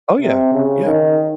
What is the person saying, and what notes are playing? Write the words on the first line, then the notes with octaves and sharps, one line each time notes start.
Oh, yeah. Yeah.
C3
C#3
D#3